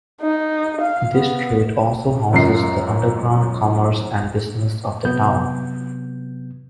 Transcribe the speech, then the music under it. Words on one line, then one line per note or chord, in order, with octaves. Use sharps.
This street also houses the underground commerce and business of the town.
D#4
F5
B3
C#2 F#2 C7
C3 F#3 B3 G6